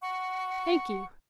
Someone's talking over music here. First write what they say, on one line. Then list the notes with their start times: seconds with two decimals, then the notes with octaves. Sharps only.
Thank you.
0.01 F#5 C#6